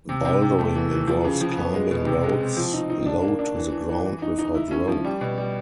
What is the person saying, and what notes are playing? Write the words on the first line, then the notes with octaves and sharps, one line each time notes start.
Bouldering involves climbing routes low to the ground without rope.
C3
C3
C3
A3
E3
E3
F3
C#3
F3
B3
G#3
B2
C3
G#3
C4
F3
D#4
D#4
D4
A#3
D4
E3
E3
E3
E3
D#4
D#4
E4
C#4
F3
G3
B2
G3